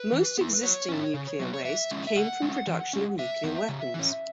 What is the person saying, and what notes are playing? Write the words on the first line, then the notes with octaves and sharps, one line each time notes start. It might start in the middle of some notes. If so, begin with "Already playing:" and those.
Most existing nuclear waste came from production of nuclear weapons.
Already playing: B4
E3
B3 E4
F#3 C#5
C#4 E4
C#3
F#3 B3
C#5
E3 E5
G#3 C#4 E4
E5
C#3 F#5
G#3 C#4
E3
G#3 C#4
C#3 E5
E3 B3 E4
C#3
E3 C#4